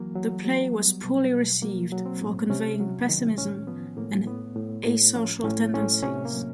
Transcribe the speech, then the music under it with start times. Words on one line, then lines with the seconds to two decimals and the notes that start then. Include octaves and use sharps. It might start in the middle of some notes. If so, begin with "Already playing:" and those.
The play was poorly received for conveying pessimism and asocial tendencies.
Already playing: E3 F#3 A#3
0.15 F#3
0.44 F#3
0.73 G3 B3
1.04 B2
1.32 B2
1.62 F#3 A#3
1.92 F#3
2.06 C4
2.21 A2
2.50 C3 C#4
2.80 F#3
3.09 D#3
3.38 A2 C#4
3.67 F3 B3
3.97 A2 A#3
4.26 A2 B3
4.56 A2
4.86 A2
5.15 F3 C#4
5.44 A2 C#4
5.74 A2 C#4
6.03 C3 C#4
6.25 A#3
6.33 F#3